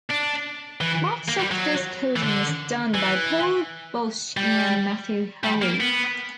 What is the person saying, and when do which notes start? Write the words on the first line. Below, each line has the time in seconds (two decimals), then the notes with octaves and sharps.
Much of this coding was done by Paul Bausch and Matthew Haughey.
0.10 D4
0.81 E3
1.29 A#3
1.40 G3
1.52 F#3
2.16 E3
2.23 D3
2.94 E3
4.37 G3
5.44 G3
5.62 A#3
5.80 B3